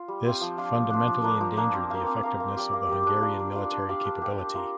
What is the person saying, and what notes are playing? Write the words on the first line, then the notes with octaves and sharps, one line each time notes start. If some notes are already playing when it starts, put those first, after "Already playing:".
This fundamentally endangered the effectiveness of the Hungarian military capability.
Already playing: F4
G3
C4 F4
F3
D4 F4
F3
D4 F4
F3
A#3 D4 A#4
F3
A#3 D4 A#4
C4
A#4 F5
C4
A#4 F5
A#3
G4 D5
A#3
G4 D5
D4
F4 D5
D4
F4 D5
D4
G4 D5 F5
D4
G4 D5 F5
D4
F4 A#4